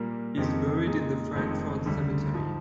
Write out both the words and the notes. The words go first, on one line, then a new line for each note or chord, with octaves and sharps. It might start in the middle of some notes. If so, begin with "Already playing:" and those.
He is buried in the Frankfort Cemetery.
Already playing: A#2 G3 A#3
F2 D#3 G#3 C4 G4
A#2 G#3 D#4 G#4
F1 F2 D#3 G#3 C4
D2 D3 G3
G#2 F3